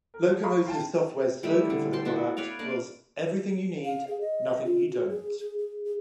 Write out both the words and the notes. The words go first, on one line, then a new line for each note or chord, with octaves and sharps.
Locomotive Software's slogan for the product was Everything you need, nothing you don't.
A#4
F3
F5 A#5 B5 C#6 D#6
F4 G5 A5
G3 A3 E4
D3
G5 A5 C6
B3 D4 E4 F#4
B4 C#5 D5 F5
A#3 D4 D5
F5
G#4
D#5
F4
F#4
G#4
G#4
G#4
G#4